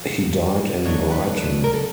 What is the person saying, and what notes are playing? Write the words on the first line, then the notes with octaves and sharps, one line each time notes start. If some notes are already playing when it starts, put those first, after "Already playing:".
He died in Brighton.
Already playing: A2 F3
D#2 D3 F#3 B3 D4 C#5
B4
B4
A#4
A4